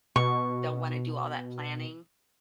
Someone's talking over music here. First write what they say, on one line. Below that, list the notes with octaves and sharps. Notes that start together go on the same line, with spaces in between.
don't want to do all that planning
B2 C#6